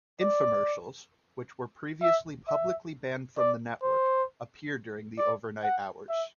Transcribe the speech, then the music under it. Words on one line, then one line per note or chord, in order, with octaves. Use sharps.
Infomercials, which were previously publicly banned from the network, appear during the overnight hours.
D5
E5
E5
D5
C5
D5
F#5
E5